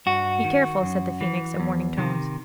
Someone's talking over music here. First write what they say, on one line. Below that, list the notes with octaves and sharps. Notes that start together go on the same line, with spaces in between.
Be careful,' said the Phoenix, in warning tones.
G2 F#4
D#3
F#2
E3
E2
C3 D#3